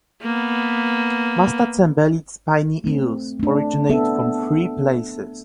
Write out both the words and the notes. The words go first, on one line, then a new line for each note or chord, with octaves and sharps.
Mastacembelid Spiny eels originate from three places.
A#3 B3
A3 C4
A3 D4
B3 D4 A4 E5